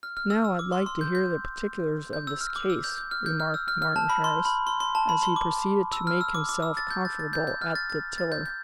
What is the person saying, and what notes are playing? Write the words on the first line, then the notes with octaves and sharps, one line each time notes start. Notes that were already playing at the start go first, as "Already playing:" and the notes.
"Now I'd like to hear the particulars of this case," remarked Martin Harris, as he proceeded to make himself comfortable at the tiller.
F6
F6
E6
E6
D6
C6
C6
G6
G6
G6
E6
F6
D6
E6
G6
G6
F6
G6
F6
E6
F6
F6
A5
B5
C6
B5
C6
C6
A5
B5
C6
D6
E6
F6
E6
D6
D6
E6
A6
G6
A6
A6
G6
G6
F6
A6
A6
A6
G6
G6